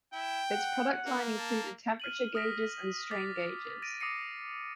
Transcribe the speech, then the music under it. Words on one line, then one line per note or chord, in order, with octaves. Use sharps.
Its product line included temperature gauges and strain gauges.
E4 G5
F#5
A#3
A5
F6 D#7 F#7
D#6 F6 A#6 B6
D6 A6 B6
A6 A#6 D7 D#7
D6 D#6 A#6 C7 C#7 D#7